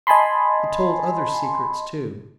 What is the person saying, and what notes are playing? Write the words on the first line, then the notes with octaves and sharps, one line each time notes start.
It told other secrets too.
D#5 G#5 A5 B5 C6